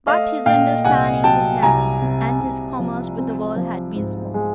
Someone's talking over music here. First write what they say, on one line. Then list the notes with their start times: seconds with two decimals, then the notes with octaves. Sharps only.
But his understanding was narrow; and his commerce with the world had been small.
0.07 A3 D#5 F5
0.46 A#2 F5 G5
0.84 C2 F#5 G#5
1.24 F#3 G5 A5
1.62 C2 G#5 A#5
2.01 C3
2.40 C2
2.79 F3
3.18 C4
3.56 F3
3.95 G#2
4.34 G#3